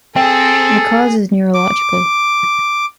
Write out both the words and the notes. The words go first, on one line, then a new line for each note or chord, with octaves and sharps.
The cause is neurological.
C4 G#4 A4 G5
D6